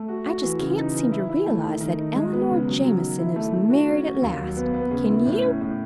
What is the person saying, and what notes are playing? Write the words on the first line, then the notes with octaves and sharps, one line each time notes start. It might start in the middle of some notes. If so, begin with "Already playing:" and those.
I just can't seem to realize that Eleanor Jamison is married at last, can you?
Already playing: A3
F#4
F#4
E3
C#3
D#4
E3
E4
E4
A3
D#3
D#3
D#4
G#3
B3
C#3
F#3
F#3
D#3
E4
A3
A3
F#4
C#4
F#4
D#2
F#3
B3
B3
C#3
E4
A2
C#4
A2